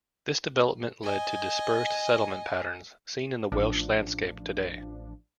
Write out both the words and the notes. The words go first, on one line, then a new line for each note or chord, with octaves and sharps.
This development led to dispersed settlement patterns seen in the Welsh landscape today.
D#5 G#5
A1 F3 D4